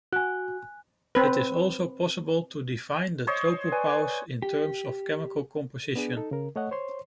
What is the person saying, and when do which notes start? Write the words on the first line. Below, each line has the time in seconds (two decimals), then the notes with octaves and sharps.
It is also possible to define the tropopause in terms of chemical composition.
0.13 F#4 G#5 F#6
1.15 C4 B4
3.27 C5 C#5 D#5
3.72 B4 D5 G#5
4.42 G4
5.96 B3 D4 G#4
6.17 D#4 A4
6.31 C#3 A#4
6.56 A3 C#5 D#5 F#5
6.71 C5 C#5 C6